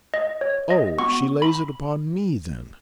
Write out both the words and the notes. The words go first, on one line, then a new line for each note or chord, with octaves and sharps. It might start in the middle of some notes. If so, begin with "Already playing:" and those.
'Oh!--She lays it upon me, then?'
D#5
C#5
D#5
B3 F#4 C#6
B5